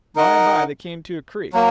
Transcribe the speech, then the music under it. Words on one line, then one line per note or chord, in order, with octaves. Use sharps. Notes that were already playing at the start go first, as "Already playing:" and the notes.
By and by they came to a creek.
D#4 A#4 D#5 F#5
F#3 A#3